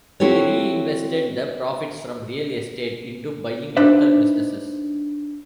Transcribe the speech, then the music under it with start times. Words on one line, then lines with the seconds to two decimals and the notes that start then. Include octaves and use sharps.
He re-invested the profits from real estate into buying local businesses.
0.20 C4 E4 F#4 G4 A4 C#5
3.77 D4 D#4 B4 C5 E5